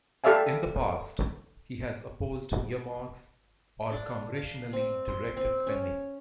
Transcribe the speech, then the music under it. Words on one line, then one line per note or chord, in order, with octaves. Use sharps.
In the past, he has opposed "earmarks", or congressionally directed spending.
G4 A4 D5 E5 F5 G#5
D4
F5
C4
C6
C4
C#4